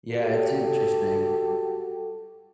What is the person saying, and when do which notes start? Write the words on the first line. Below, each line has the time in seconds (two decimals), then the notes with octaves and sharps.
Yeah, it's interesting.
0.11 F#4 G4 A4